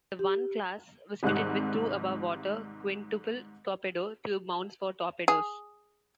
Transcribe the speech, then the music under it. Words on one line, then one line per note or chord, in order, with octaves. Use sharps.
The I class was fitted with two above-water quintuple torpedo tube mounts for torpedoes.
G4
G#1 G#2 C3 G3 D#4 F#6
G#4